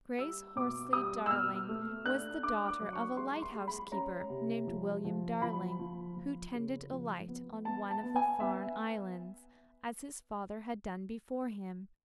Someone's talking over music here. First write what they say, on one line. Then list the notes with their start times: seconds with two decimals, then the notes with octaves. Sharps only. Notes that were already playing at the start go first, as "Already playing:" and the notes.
Grace Horsley Darling was the daughter of a lighthouse keeper named William Darling, who tended a light on one of the Farne Islands as his father had done before him.
0.19 G3 E6
0.56 B2 D6
0.93 G3 D#6
1.26 E6
1.30 B2 F6
1.69 A3
2.05 D4 F#6
2.43 D4 D6
2.68 D6
2.80 F#3
2.93 C#6
3.17 G#3 C6
3.42 C6
3.54 G#3
3.68 B5
3.92 C#4 A#5
4.29 C3
4.67 F3
5.05 F3
5.41 F3 B5
5.79 F3
6.16 F3
6.54 C#3
6.91 F3
7.28 B3
7.65 B3 A5
7.91 A5
8.03 B3
8.16 G#5
8.40 B3 E5